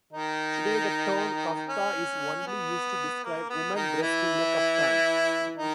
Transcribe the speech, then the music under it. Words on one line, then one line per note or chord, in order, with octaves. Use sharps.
Today the term Kafta is only used to describe women dressed in a Kaftan.
D#3 D#4
C#4
B3
A#3
B3
D#3 D#4
E3 E4
D#3 D#4